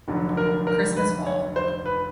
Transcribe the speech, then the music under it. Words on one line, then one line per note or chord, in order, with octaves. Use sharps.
Christmas Vol.
F1 F2 D3 F#3
A#4
A#4
B4
C#5
C5
B4